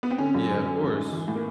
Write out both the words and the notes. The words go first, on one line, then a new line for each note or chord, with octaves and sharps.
Yeah, of course.
B3
C4
D3 C#4
F#2
D3
F#2
E3
G#2
E3
A2
A#3